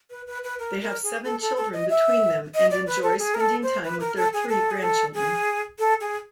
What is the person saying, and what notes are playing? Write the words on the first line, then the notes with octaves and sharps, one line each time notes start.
They have seven children between them and enjoy spending time with their three grandchildren.
B4
B4
B4
A#4
A#4
G#4
A4
A4
A4
D#5
E5
D#5
D5
B4
A4
G#4
A#4
A4
C5
B4
A#4
A4
G#4
A4
G#4
A4
G#4
A4
G#4